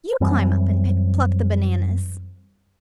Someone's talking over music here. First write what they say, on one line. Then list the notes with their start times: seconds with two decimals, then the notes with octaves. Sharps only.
You climb up and pluck the bananas.
0.21 F#2 E3 G3 C4